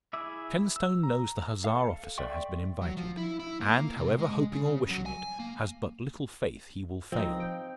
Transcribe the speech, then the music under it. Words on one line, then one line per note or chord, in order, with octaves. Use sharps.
Shenstone knows the Hussar officer has been invited; and, however hoping or wishing it, has but little faith he will fail.
E4 G#4 E5 D6 E6
E6
A#5
A4 F5
D5 E5 G5 C6 C#6
F#3
F3
E4
E4
A#3
C3
G#3
C#3
F#3
G#5
A#3
F3 C4 D#4 F4
G5